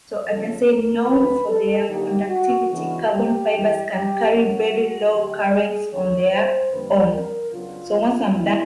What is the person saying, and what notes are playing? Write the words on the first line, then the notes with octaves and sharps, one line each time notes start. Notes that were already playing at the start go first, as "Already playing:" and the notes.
Known for their conductivity, carbon fibers can carry very low currents on their own.
C#3 F3 G#3 C#4 A4
A#4
D2 D3 F#3 A3 B4
A4
D3 F#3 A#3 D#4 G4
F#4
C#3 E3 G#3 B3 D4 F#4
G4
G2 E3 G3
G4
A#2 F#3 A#3 C#4 F#4
D3 F#3 A3 G4
G#4
D3 F3 A3 D4 C#5
C5
F2 D3 G3 A#3 D4 B4
A#4
C#3 F#3 B3 D4 F4
G2 D#3 F#3 A#3 E4